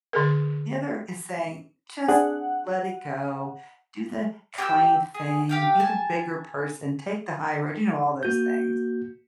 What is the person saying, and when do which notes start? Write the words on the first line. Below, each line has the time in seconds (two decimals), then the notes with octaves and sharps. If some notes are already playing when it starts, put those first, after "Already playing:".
The other is saying, "Just let it go. Do the kind thing. Be the bigger person, take the high road," you know, all those things.
0.13 D3 G#4 A#4
2.08 C4 D4 G#4 F#5
4.58 G4 G5 E6
5.14 G#4
5.49 G4 F5 G5
5.80 G#5 A5
8.23 A#3 F#4 G6